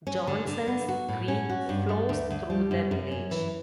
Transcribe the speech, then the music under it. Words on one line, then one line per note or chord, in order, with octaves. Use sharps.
Johnson's Creek flows through the village.
C#4
D3
D3
B3
F#4
A2
C#4
F#4
G2
A3
D2
D2
G3
F#2
F#2
C#4
E3